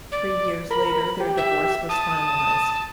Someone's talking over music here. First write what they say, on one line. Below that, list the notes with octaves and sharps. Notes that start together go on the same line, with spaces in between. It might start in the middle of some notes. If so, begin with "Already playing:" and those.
Three years later, their divorce was finalized.
D5
A#4 B5
G4
E5
A5 D#6